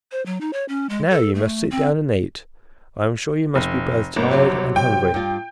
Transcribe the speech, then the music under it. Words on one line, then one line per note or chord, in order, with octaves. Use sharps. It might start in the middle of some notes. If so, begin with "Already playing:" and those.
"Now, you must sit down and eat; I am sure you must be both tired and hungry."
C5
F#3
D#4
C#5
C#4
G#3
A4
A3
C4
F1
G1 A#3 D4
C3 F#3
G5
G2 F4